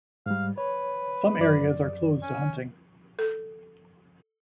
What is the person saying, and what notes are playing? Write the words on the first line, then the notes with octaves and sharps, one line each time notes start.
Some areas are closed to hunting.
G#2 G3 F5
B4 C#5
F#2 D5
C#4
A4